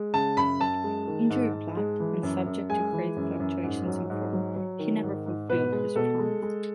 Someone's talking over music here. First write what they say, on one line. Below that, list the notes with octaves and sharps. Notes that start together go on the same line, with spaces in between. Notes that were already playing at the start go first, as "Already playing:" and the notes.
Injury-plagued, and subject to great fluctuations in form, he never fulfilled his promise.
Already playing: G#3
C#3 A5
F#2 B5
F#2 A5
G#3
D#3
G#2
G#2
G#3
E3
F#2
F#2
G#3 G#5
E3
F#2
F#2
G#2
F#3
G#2
F#3
F#3
D#3
G#2
G#2
B2 B4
G#3
B2 A4
G#3
G#3